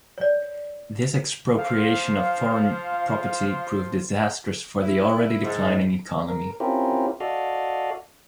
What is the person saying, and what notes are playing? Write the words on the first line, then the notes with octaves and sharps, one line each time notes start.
This expropriation of foreign property proved disastrous for the already declining economy.
C#5 D5
F3 F5 C6
E4
G#2
A#4
C4 C#4 E4 F4 G4 A#4
F#4 A4 D5 D#5 F5